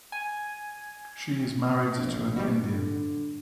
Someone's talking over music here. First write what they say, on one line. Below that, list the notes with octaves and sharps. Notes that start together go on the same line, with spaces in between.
She is married to an Indian.
G#5
A#1
B2 G3
D3